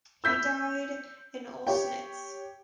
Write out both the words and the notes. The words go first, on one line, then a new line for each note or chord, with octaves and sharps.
He died in Oelsnitz.
E6 G6 B6
G4 C#5 G5